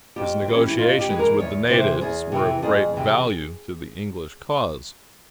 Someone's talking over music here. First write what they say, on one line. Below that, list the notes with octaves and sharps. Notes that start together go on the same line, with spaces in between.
His negotiations with the natives were of great value to the English cause.
F2 G4
C4
E3 G#3
C#4
E4
F2 F4
G4
E3 G#3
A#4
E2 C#5
C3 E3 C5
E2 G#4
C3 E3
F2 G#4
C3 E3